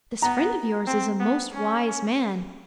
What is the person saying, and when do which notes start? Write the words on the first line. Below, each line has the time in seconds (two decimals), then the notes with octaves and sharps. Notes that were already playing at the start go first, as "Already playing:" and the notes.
This friend of yours is a most wise man.
0.22 B3 A#5
0.87 C4
1.20 B3
1.53 C#4